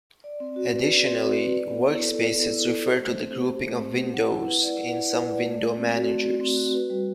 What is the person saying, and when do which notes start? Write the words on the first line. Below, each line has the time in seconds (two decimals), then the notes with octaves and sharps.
Additionally, workspaces refer to the grouping of windows in some window managers.
0.24 D5
0.40 C4
0.56 F#4
0.72 B4
0.89 D5
1.06 C4
1.21 F#4
1.38 B4
1.54 D5
1.70 B3
1.87 E4
2.03 A4
2.19 D5
2.36 B3
2.52 E4
2.67 A4
2.84 C5
3.00 A3
3.17 C4
3.33 G4
3.49 C5
3.66 A3
3.81 C4
3.97 G4
4.14 F#5
4.31 E4
4.47 B4
4.63 D5
4.79 F#5
4.95 E4
5.12 B4
5.28 D5
5.44 A3
5.60 A3
5.77 C4
5.93 F#4
6.09 A3
6.25 A3
6.41 C4
6.57 F#4
6.74 B4
6.90 G3